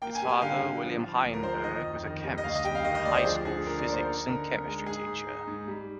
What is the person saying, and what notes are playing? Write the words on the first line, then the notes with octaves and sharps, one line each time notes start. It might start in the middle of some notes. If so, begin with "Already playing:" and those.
His father, William Heinberg, was a chemist and high-school physics and chemistry teacher.
A#3 G5
G#5
G3
G5
D3 F5
D3
F3
F3
D2
A#4
F3 C5
C5
D#3 D#5
F2
D#3
G3
D#5
D2 F5
D#5
G3 G5
F5
D#3 D#5
D#5
D2 D5
C5
F3 G#4
D3 G#4
D3 A#4
D5
A#3
C5
D#4 A#4
D3 A#4
D#4
G#3
G#2 G#4
G#2
D#4
G#2
G3